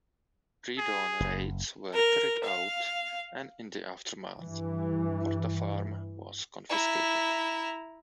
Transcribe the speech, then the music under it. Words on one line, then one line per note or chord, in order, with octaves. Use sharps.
Pre-dawn raids were carried out and, in the aftermath, Porta Farm was confiscated.
G#4
F#1
A#4
F5
G2 E3
E4 A#5